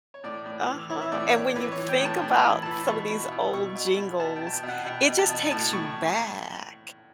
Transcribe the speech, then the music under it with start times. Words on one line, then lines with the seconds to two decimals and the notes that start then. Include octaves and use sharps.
Uh-huh. And when you think about some of these old jingles, it just takes you back
0.14 C#5
0.24 A2 D5
0.46 A2
0.68 E3
0.89 E3 C#5
1.01 E5
1.12 A2 D5
1.34 A2 C#5
1.56 E3 B4
1.72 C#5
1.78 E3
1.89 G5
1.99 A2
2.05 A5
2.22 A2
2.43 E3
2.55 B5
2.63 A5
2.66 E3
2.71 B5
2.87 B2 C#6
3.09 B2 B5
3.31 B2
3.53 B2 C#6
3.75 B2
3.86 B5
3.97 B2
4.20 B2 A5
4.36 G5
4.41 B2
4.47 A5
4.53 G5
4.63 B2
4.69 F#5
4.85 B2 G5
5.07 B2
5.18 A5
5.29 B2
5.51 A2 A5
5.73 A2 C#6